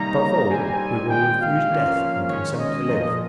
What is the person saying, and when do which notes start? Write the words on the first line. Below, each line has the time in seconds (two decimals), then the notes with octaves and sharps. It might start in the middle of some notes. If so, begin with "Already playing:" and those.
Above all, we will refuse death and consent to live.
Already playing: C3 D#3 G3 A#3 D#4 A#5
0.50 G3 C4 D#4 G#5
1.09 C3 D#3 G#3 G5
1.40 F5
1.69 F3 A#3 C#4 F4
2.28 D#3 G#3 C#4 C#5
2.58 D#5
2.89 A#2 F3 A#3